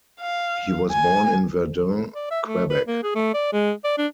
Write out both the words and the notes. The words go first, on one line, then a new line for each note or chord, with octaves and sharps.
He was born in Verdun, Quebec.
F5
G#5
D5
E5
A3
B4
A#3
G#4
A3
D5
G#3
D5
D4